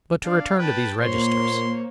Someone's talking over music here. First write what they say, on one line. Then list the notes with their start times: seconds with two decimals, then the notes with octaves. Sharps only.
"But to return to these registers."
0.25 D4 F5
0.59 B4 G5 A5
1.00 A#2 A#3 C5 C#5 C6